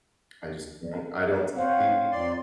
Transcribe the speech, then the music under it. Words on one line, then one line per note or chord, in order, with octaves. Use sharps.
I just don't I don't see
C4 C5 C#5 F5 F#5
F2 D5 C6